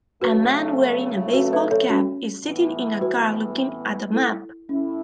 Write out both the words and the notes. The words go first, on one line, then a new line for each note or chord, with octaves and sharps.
A man wearing a baseball cap is sitting in a car looking at a map.
C#3 F#3 A3 F#4 B4
F#4 B4
B4 E5
A4 C#5
C#4 F#4
A2 E3 B3
F#4 B4
E4 A4
A2 A3 C#4 E4